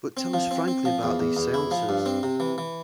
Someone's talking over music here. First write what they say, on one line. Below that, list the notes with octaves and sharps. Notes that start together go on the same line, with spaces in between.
But tell us frankly about these seances.
C4
F3
C4
C4
F3
E2
E2
E2
E4
F3
G2
C4
C3
E3
E3